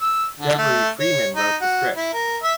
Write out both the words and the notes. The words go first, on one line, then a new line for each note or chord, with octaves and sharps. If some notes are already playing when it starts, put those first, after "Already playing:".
Devery Freeman wrote the script.
E6
D3
A3
C#5
D#4
F#4
E4
A#4
E5